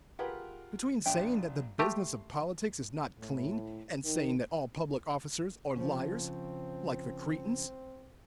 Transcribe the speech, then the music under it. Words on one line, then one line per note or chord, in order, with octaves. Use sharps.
"Between saying that the business of politics is not clean, and saying that all public officers are liars, like the Cretans."
F4 G4 G#4 A#4 B4 F#5
A#1 A#2 D4 E5 G5
A3 G4 A5 C6
A2
D#3
C#3 F3 C4